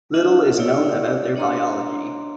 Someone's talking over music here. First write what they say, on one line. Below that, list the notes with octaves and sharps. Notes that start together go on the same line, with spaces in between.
Little is known about their biology.
D4 F4 F#4 D#5 E5
E4 G4 C#5 D5
D4 C#5 D#5 A#5 C6